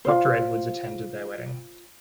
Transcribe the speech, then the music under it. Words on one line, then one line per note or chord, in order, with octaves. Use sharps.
Doctor Edwards attended their wedding.
F4 C5